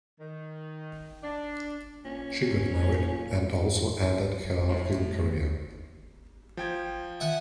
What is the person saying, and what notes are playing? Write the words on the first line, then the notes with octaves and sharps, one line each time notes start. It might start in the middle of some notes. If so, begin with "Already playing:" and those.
She got married and also ended her film career.
D#3
D4
A#2 C#4
A2
F3 G5 G#6
E5 F#5 G#5